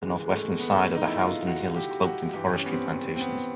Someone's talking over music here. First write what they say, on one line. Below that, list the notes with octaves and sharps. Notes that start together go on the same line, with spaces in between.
The northwestern side of the Housedon Hill is cloaked in forestry plantations.
D#2 C#3 E3 G#3
G#3
A3
B3
D#4
E4
F4
F#4
G4
F#4
G2 E3 G4
C#4
B3
C4
C4
B3